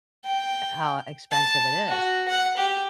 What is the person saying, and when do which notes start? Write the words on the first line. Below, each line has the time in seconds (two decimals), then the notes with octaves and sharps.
how expensive it is.
0.25 G5
1.31 A5
1.88 F#4
2.28 F#5
2.57 G4